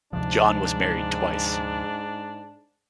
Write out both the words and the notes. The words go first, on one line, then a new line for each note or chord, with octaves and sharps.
John was married twice.
D2 G#2 C3 F3 D4